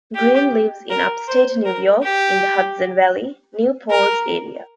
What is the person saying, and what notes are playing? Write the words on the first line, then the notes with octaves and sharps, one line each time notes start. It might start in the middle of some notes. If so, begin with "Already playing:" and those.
Green lives in upstate New York, in the Hudson Valley, New Paltz area.
G4
A#4
C5
A#4
G4
A#4